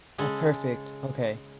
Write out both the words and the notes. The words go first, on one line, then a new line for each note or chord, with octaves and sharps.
Oh, perfect, okay.
C#3 G#3 A4